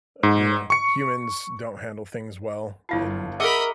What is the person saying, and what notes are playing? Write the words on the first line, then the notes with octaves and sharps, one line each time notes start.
uh, you know, humans don't handle things well and
G#2
C#6 C#7
G1 E4 F4 F5 A5
G#4 A#4 D#5 E5 F#5 B5 D6 C#7